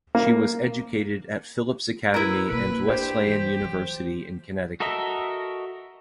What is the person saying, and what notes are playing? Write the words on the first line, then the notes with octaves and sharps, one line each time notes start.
She was educated at Phillips Academy and Wesleyan University in Connecticut.
A#3
E4 A#4 B4
B2 A#3 B4
D4 G4 C5
E3
E3 F#3
F#4 A4 A#4 D#5 E5